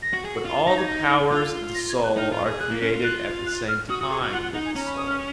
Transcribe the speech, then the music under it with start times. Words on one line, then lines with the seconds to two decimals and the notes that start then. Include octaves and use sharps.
But all the powers of the soul are created at the same time with the soul.
0.02 A#6
0.13 F#4
0.25 G#4
0.35 F#4
0.45 F4
0.67 D#4 A#6
0.78 G#6
0.88 A#6
1.32 F4
1.75 A#6
1.89 G#6
2.04 F#6
2.17 D#4 F6
2.32 F4
2.46 G#4
2.60 G#4 F#6
2.71 A#3
2.82 C#4
2.93 F4
3.04 F#6
3.46 F#6
3.68 F6
3.90 F#4 D#6
4.00 F#4 D#6
4.11 G#4 C#6
4.22 F#4
4.33 F4 F#5
4.43 F#5
4.54 D#4 F#5
4.65 G#5
4.75 C#4 A#5
4.86 B5
4.97 D#6
5.08 F6